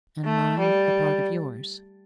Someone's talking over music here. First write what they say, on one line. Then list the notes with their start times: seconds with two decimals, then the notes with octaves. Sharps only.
"And mine a part of yours?"
0.25 A3
0.59 G3